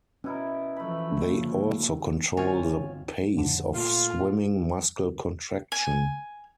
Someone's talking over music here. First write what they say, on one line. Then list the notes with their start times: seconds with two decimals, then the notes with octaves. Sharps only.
They also control the pace of swimming-muscle contraction.
0.24 B2 C#4 E4 A#4
0.76 E3 F3 A3 B5
1.26 D2 C#3 F3 A#3
2.37 G1 D2 C4 F4 C#5 G#5
3.36 F2 A2 D3
3.74 A#2 A3 F4
5.72 G#5